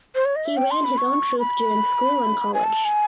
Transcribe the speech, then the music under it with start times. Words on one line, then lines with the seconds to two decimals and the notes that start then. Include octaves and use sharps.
He ran his own troupe during school and college.
0.15 C5
0.25 C#5
0.36 D#5
0.46 E5
0.57 G5
0.71 C6
0.85 B5
0.98 C#6
1.39 B5
2.54 G#5
2.64 A5
2.85 G#5